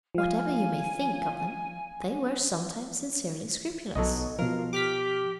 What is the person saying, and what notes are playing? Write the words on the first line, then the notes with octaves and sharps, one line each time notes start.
Whatever you may think of them, they were sometimes sincerely scrupulous.
F3 F5 G#5
B1 B2 F#3 A4 D#5
B2 F3 F4 A#4
G4 D6 F6 B6